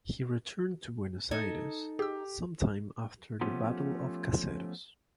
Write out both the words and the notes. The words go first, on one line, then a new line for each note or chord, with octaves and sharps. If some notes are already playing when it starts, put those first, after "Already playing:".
He returned to Buenos Aires some time after the Battle of Caseros.
D#4 A4 C#5 D#5 G#5
G4 G#4 E6
F3 A3 B3 C#4 F4 G4